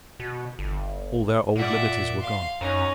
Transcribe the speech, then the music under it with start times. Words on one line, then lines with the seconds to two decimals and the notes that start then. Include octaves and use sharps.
All their old liberties were gone.
0.20 B2
0.59 G1
1.56 A#2 D5 E5 F#5
2.20 F5 C6
2.61 F#2 C#4 D#4 A#5